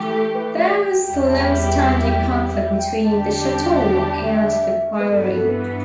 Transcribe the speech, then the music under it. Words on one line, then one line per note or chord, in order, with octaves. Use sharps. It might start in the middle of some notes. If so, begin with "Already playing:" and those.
There was longstanding conflict between the chateau and the priory.
Already playing: E3 A3 G4
A4
B4
D5
G5
E2 E3 G3 E4 G4 G5
A5
G5
G5
E5
G5
E2 D3 G3 D4 G4 A5
A5
A5
A5
G5
E5
G2 E3 B3 B4
A4
B4
A4
B4